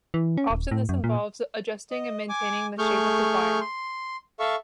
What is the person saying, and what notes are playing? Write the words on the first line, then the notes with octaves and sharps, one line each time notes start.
Often this involves adjusting and maintaining the shape of the fire.
E3
C#4
D#1
A2
F#2
A#2
D#5
G#5 D6
A3 G#4 C#6 F6 G6
C6
A4 E5 F5 C#6